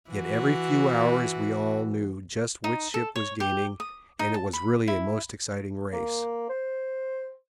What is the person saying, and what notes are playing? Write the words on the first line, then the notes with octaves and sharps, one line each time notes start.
Yet every few hours we all knew just which ship was gaining and it was really a most exciting race.
E3 F#4
D#4
A4
C#5
G4
D#6
D#4
A5
B5
E4
A#3
C5